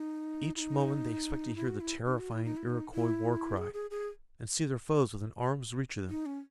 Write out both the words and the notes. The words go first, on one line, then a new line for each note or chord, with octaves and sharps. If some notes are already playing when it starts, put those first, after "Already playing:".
Each moment they expected to hear the terrifying Iroquois war-cry, and see their foes within arm's reach of them.
Already playing: D#4
E4
D#4
E4
F#4
E4
D#4
F#4
E4
D#4
E4
D#4
E4
G#4
G#4
G#4
D#4
C#4